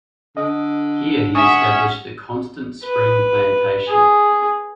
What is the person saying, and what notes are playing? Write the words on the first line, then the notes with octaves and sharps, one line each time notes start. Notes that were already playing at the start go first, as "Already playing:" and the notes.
Here he established the Constant Spring plantation.
D3 D#5
C#4 E5 F#5 G#5 C#6 D#6
B4
G#4